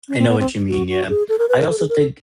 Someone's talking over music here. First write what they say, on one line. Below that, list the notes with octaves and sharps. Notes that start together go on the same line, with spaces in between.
I know what you mean, yeah. I also think
C#4
C4
B3
C4
F#4
F#4
G#4
A4
A#4
B4
A#4
A4
G#4
A#4
A4